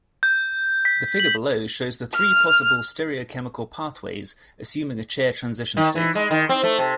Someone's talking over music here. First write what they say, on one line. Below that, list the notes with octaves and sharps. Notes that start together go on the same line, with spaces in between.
The figure below shows the three possible stereochemical pathways, assuming a chair transition state.
G6
B6
F#7
F6
D#3
E3
G#3
D#3
C4
A3
C3